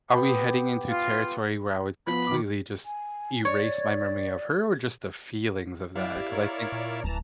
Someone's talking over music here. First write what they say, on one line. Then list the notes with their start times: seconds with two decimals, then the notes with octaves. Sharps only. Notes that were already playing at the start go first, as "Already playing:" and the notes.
are we heading into territory where I would completely just erase my memory of her or just the feelings of that? Cause I think
0.14 B3 G4
0.89 F4
2.07 F3 B3 B5
2.27 D#3 D6
2.86 G#5
3.45 C#5 D5
5.95 F#3 E4 D5 F5
6.16 B3 G4
6.31 A#4 C#5 D5
6.72 A#2
7.04 D1 E3 A5 A#5